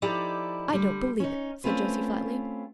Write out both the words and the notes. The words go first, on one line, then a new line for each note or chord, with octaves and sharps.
"I don't believe it," said Josie flatly.
F3 D#4 E4 G4 A4 D5
D3 G3
C#4 D#4
A3 C4 C#4 F4 B4